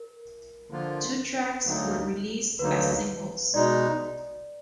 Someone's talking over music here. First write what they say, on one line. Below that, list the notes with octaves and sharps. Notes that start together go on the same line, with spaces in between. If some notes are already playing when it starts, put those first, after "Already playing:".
Two tracks were released as singles.
Already playing: A#4
D3 F3 A#3 F4
D2 D3 F#3 A#3 D#4
D2 D3 F#3 A#3 D#4 B4
B2 G#3 D#4 D5